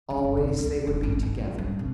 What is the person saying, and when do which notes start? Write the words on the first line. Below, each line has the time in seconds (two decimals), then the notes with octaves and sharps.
Always they would be together.
0.10 D4
0.24 F#1
0.37 C3
0.59 D2
0.87 F1
1.03 G#1
1.23 B3
1.38 A#1
1.58 G2
1.79 C3